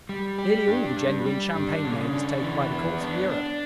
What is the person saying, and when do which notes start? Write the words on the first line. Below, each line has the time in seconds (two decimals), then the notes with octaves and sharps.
Nearly all the genuine champagne made is taken by the courts of Europe.
0.09 G3
0.39 G4
0.68 D4
0.97 G3
1.25 G3
1.55 D4
1.85 C#3
2.13 D4
2.42 E3
2.72 B3
3.00 D4
3.29 D4